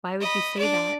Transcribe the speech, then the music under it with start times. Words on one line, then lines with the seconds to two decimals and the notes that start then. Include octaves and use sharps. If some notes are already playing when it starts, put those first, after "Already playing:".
Why would you say that?"
0.21 D#5 B5
0.59 D4 D5